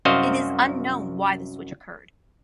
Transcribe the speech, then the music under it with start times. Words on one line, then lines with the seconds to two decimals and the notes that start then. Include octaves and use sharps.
It is unknown why the switch occurred.
0.05 C2 F#2 F#4 C5 D#5 F5